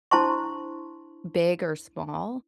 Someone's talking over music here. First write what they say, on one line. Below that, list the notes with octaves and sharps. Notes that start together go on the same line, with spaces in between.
big or small?
D4 E4 C5 A5 C6 C#6